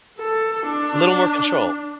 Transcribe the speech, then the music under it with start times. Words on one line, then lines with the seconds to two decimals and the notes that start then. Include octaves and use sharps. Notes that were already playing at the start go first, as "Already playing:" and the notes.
Little more control.
0.19 A4
0.66 D4